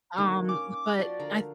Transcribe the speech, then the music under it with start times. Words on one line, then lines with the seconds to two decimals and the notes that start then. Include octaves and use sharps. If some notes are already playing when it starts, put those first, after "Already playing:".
um, but I
0.17 D3 D#3 A#3
0.49 C#4 D6
0.99 F3 F#4 D5 C6
1.19 D3 A#4